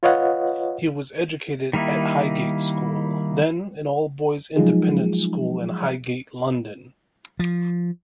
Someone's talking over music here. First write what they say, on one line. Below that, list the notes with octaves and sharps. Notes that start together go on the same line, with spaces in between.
He was educated at Highgate School, then an all-boys independent school in Highgate, London.
F4 B4 C#5 D#5 F5 F#5
D#3 G3 A#3 D#4 E4
F3 F#3 G#3 D#4 F4 G#4
F3